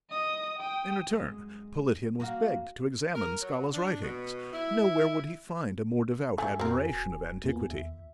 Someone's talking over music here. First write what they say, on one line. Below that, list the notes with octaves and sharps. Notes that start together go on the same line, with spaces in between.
In return, Politian was begged to examine Scala's writings: nowhere would he find a more devout admiration of antiquity.
D#5 D#6
G5 D#6
F#2 G#3 D#5
A#3 F#4 F5
A#4
F#3
D4
B2
E4
F#3 A3 G#5
F2 C4 F#4 A#4
D1
E2 A#3 B3 F4
D#2 E5